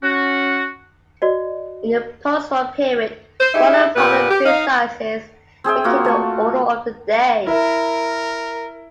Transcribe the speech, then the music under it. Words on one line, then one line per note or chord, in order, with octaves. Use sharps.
In the postwar period, smaller model train sizes became the order of the day.
C#4 F#4
F#4 D5 D#5
C5
D#4 E4 G4 G#4 E5
A#2 B3 G4 B4
G4
D#4 F5
C4 G#4 E5 G5
A#3 F4 F#4
A3 C#6
E4 A#4 E5